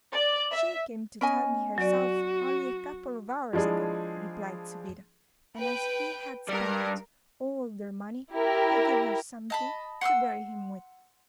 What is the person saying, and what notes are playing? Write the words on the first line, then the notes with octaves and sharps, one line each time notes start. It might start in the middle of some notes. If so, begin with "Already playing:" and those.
She came to tell me herself only a couple of hours ago,' replied Subida, 'and as he had spent all their money, I gave her something to bury him with.'
D5
E5
B3 C#4 D#5 G#5
F#3 F#4 D5
F3 G#3 D4 E4 G#4
B4 G5
G2 G3 A#4
E4 G4 A#4
D#5 A5 B5
F#5 C6 D6 E6